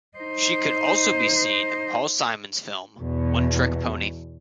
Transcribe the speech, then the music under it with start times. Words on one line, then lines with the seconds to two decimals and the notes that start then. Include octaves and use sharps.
She could also be seen in Paul Simon's film "One Trick Pony".
0.17 D#4 C5
2.98 E2 B2